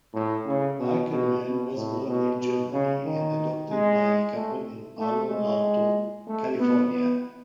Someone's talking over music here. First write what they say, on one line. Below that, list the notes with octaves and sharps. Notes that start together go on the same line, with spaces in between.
Ackerman was born in Germany and adopted by a couple in Palo Alto, California.
A2
C#3
B2
B2
B2
A2
B2
B2
C#3
D#3
G#3
A3
A3
G#3
A3
B3
B3